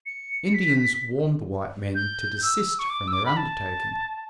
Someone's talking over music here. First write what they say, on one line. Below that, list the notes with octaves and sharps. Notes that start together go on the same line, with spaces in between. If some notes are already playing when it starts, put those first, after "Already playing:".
Indians warned the white men to desist from their undertaking.
C#7
B6
G6
E6
C#6
D6
E6
D6
B5
A5